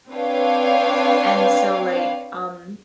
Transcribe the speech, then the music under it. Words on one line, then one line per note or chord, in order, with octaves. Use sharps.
and so, like, um
C4 D4 B4 C#5 F5 G5